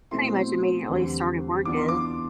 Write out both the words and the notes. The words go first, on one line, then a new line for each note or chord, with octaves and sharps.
Pretty much immediately started working,
B2 A3 C4 E4 C6
E2 D3 G3 C4
E3 B3 D4 F4 D6
C6
D6